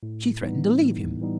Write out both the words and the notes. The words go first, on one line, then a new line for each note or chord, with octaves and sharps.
She threatened to leave him.
A2
E3 G3 B3 D#4
A2
E3 G3 B3 D#4